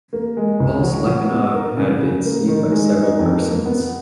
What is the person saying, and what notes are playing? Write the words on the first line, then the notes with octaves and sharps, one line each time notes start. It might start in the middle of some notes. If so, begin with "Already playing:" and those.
False-Laiponov had been seen by several persons.
A#3
G#3
C#2
F#3
F#3
B3
A#4
C#3
C#3
A#3
D#3
G#3
D#4
F2
A#3
B3